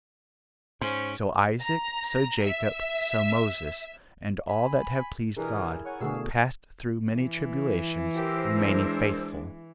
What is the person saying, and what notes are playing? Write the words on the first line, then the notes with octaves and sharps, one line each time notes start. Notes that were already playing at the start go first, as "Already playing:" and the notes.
So Isaac, so Jacob, so Moses, and all that have pleased God, passed through many tribulations, remaining faithful.
G#2 C#4 C5
A#5
E5
G#5 B5
G2 B2 E3 E4 G#4 A#4
C#5 F#5 G#5
E2 B2 D3 A3 F#4 G#4 F5 E6
E3
G4 A#4 C5 E6
G#3 D4